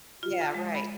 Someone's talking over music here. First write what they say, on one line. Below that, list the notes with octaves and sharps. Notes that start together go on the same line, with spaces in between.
Yeah, right.
F4
F6
G#3
B5